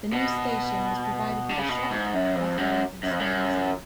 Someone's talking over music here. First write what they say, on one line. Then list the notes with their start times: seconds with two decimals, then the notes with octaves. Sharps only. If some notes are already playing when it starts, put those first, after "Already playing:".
The new station was provided with a shop, buffet and small museum.
0.13 B2
1.49 D3
1.59 C#3
1.69 B2
1.91 G#2
2.14 F#2
2.35 F2
2.57 F#2
3.03 F#2
3.10 F2
3.19 F#2